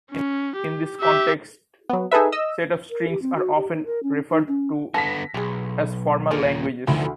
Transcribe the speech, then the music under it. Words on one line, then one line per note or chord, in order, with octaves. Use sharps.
In this context, sets of strings are often referred to as formal languages.
C#4
G4
G4 E5
F#3 B3
D#4 G#4 A4 B4 E5
D#5 E6
A#4
G4
C4
F#4
G4
D#4
A#4
C#4
D#4
C#4
D3 B3 A5 A#6 B6
B1 G4 G#4
D#2 A#2 G#4 A#4 C5
D2 D#3 F3 E4 B5